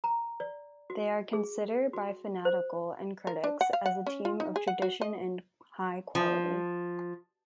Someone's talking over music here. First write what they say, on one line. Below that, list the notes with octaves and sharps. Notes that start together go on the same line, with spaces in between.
They are consider by fanatical and critics as a team of tradition and high quality.
A#5
D5
F#4
G#4
F#4
C5
A#4
D4
F#5
F5
F#5
C#4
F4
D#4
G#4
F#5
F#4
D#5
F3